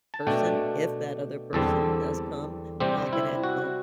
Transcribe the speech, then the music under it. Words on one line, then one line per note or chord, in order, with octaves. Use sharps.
person, if that other person does come knocking at the
A5
B2 A3 D4 G5
E2 D3 G3 C4 A4
C3 G3 C4 G4
E4
F#4